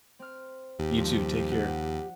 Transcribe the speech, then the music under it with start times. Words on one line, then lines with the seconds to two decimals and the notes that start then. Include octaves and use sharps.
You, too, take care.
0.19 C4 F6
0.79 D#2 G4
0.97 G2 F3
1.52 F#5